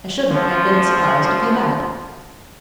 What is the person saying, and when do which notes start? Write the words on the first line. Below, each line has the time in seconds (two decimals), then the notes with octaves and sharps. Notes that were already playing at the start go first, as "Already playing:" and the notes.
I shouldn't have been surprised if you had.
0.28 F#2 F3